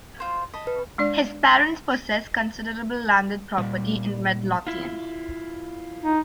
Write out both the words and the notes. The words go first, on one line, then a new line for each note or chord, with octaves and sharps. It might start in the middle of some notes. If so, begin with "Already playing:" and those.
His parents possessed considerable landed property in Midlothian.
F4 C5
D#5 A5 B5
B4
G#3 D4 D5
A#2 G3
E4 F4
D#4